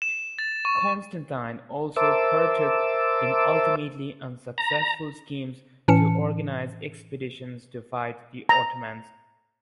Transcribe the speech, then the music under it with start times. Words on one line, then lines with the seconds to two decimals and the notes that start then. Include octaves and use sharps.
Constantine also partook in ultimately unsuccessful schemes to organize expeditions to fight the Ottomans.
0.02 E7
0.39 A6
0.65 C#6
1.96 A#4 C5 E5 A5 D6 E6
4.58 A#5
5.88 A2 E3 C#4 A5 C#7
8.49 A#5